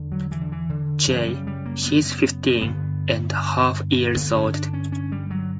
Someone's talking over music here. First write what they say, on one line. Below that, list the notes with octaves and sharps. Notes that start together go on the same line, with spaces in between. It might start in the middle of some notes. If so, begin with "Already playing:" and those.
Jay: He is fifteen "and a half" years old.
Already playing: E2 D3
F#3
E3
D3
E3
D3
F#2 C#3 E3
G3
G3
A#3
B3
G2 D3 B3
G2 D3 B3
C#4
D4
C#4
C#4
G3
F#3